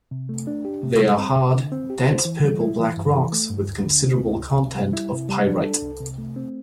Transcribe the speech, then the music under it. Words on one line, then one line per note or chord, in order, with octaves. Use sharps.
They are hard, dense purple-black rocks with considerable content of pyrite.
C3
A3
D4
G4
C3
G3
C4
C3
D3
C4
G4
C5
E3
G3
E4
E3
G2
E3
A3
G2
D2
D3
C4
D2
C2
C3
G3
E4
C3
G3
D4
A4
C2
C3
A3
C4